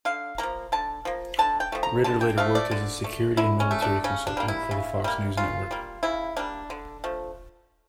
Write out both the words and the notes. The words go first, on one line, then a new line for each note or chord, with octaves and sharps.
Ritter later worked as a security and military consultant for the Fox News network.
D3 F5
F3 A#3 A#5
D3 A5
F3 A#3
D3 A5
G5
F3 A3
A#5
D3 A5
G5
F3 A3 F5
D5
D3
A3
D3 E4
C#4
A3
D4
C#3 C#4
D4
G3 A#3
E4
C#3
G3 A#3
C#3 F4
G3 A#3
C#3 E4
G3 A#3 D4
D3
F3 A3